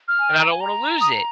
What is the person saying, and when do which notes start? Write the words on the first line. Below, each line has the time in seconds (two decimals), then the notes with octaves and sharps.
and I don't wanna lose it."
0.08 F6
0.19 G#5
0.30 G5
0.40 A#5
0.50 G#5
0.60 A#5
1.01 D#6